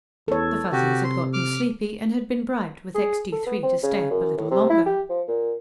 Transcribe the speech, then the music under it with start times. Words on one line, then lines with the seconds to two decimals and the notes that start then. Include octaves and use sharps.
The Fuzzies had gotten sleepy, and had been bribed with Extee Three to stay up a little longer.
0.28 E2 A4 C#5
0.72 C3 F#4 G4
1.04 C6
1.33 D6 F6
2.94 G#4
3.32 A4
3.46 B3
3.63 C4
3.83 C#3
4.11 F#2
4.37 A2
4.51 C3
4.70 E4
4.86 G4
5.09 F3
5.28 A#2